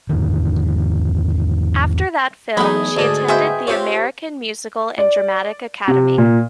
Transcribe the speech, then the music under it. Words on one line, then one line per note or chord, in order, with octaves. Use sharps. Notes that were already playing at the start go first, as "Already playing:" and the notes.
After that film she attended The American Musical and Dramatic Academy.
E2 G#2 D3 D#3
E2 F#3 A3 B3 D#4 G#4 F#5 B5
D2 G#2 D5 D#5 A5
G#3 B3 F#4 C5 E5 G5
C4 F4 G4 C5 C#5
D5
C3
A#2